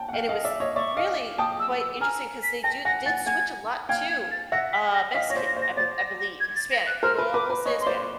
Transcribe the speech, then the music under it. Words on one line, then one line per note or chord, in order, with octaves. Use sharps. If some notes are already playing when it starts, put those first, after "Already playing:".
And it was really quite interesting 'cause they do did switch a lot to, uh, Mexican, I be I believe, Hispanic. Well, we'll say Hispanic.
Already playing: G5 A5
F#5
F5 G5
D#5 F5
D5 E5
C#5 D#5
D5 E5 C#6
D#5 F5
G5 A5 D#6
E6
E6
G#5 A#5 F6
B6
G5 A5 A#6
F#5 G#5 A#6
F#5 G#5 A6
F#5 G#5 G#6
F5 G5 G#6
G#6
A6
E5 F#5 A#6
B6
A#6
D#5 F5 B6
C#5 A#6
C5 D5
A#6
C5 D5
A#6
C5 D5 A6
A#6
A#6
G#6
A6
A#6
F#6
A#4 C5 F6
B4
B4 D6
B4
C#5 D#5 C#6
C6
C5 D5
C6